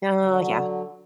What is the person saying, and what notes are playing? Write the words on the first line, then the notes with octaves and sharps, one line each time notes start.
Oh, yeah.
D3 F#3